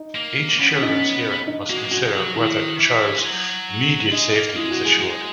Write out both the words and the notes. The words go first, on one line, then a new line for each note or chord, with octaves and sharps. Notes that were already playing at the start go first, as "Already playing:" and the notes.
Each Children's Hearing must consider whether the child's immediate safety is assured.
Already playing: D#4
A#3
B3 C#4
C#4
D#4
C#4
D#4
A#3 F#4
G#3
A#3
G#3 F#4
F#3
D#3 E4
E3
G#3
F#3
G#3 D#4
A#3
G#3 E4
F#4
G#4
G#3 F#4